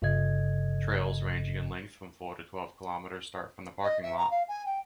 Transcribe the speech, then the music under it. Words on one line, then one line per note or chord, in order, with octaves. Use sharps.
Trails ranging in length from four to twelve km start from the parking lot.
G1 G2 C#3 A4 D#5 G#6
D#5
E5
A#5
F5
G#5
G5